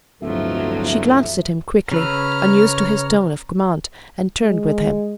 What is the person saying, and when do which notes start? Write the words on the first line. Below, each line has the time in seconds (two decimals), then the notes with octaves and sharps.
She glanced at him quickly, unused to his tone of command, and turned with him.
0.22 D1 G2 B2 F3 F#3 A4 E5
1.92 C#3 B4 C#5 A#5 E6 F6
4.42 G#3